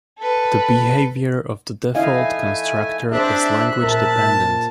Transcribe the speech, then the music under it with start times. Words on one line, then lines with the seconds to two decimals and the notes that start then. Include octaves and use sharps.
The behavior of the default constructor is language dependent.
0.18 A4 B4
1.95 A3 E4 D#5 F5 G#5
3.12 D4 G#4 C5 E5 F#6
3.83 A#2 A#4 A5